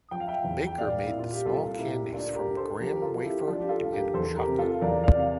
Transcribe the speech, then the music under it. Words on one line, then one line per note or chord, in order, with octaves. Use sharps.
Baker made the small candies from graham wafer and chocolate.
F3 G5
F5
E5 G5
E2
G5
A#2 D5 F5
E4
A#2
F4
G4
C2 F4 A4
A#2 E4 G4
D2 D4 F4
G4 A#4
D2
A4 C5
F3 G4 A#4
A#4
F4 A4
F3
E4 G4
F3 D4 F4
G4
F4 A4
D2
G4 A#4
E2 A4 C5
G4 A#4
C3
F4 A4
E2 A#4 D5
D5 F5
C3 F5